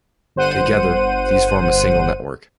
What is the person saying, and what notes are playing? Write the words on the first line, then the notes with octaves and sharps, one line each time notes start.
Together these form a single network.
G1 C5 F#5 D#7